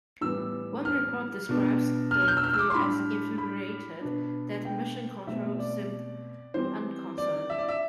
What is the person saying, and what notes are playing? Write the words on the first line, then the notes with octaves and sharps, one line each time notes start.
One report describes the crew as "infuriated" that Mission Control seemed unconcerned.
A2 E3 G3 B3 E6
F6
B2 B3 D4
F6
F6
G6
E6
F6
E6
D6
C6
A2 G3 D4 B5
B5
B2 B3 D4
G5
B2 A3 C4 E5
D5
E3 G3 C4 C5
D5
E5
D5
E5